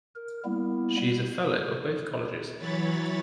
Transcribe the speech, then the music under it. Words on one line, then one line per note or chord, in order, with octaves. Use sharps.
She is a Fellow of both colleges.
A#4
G3 A#3 B3 E4
E3 F#3 C#5 B5 A6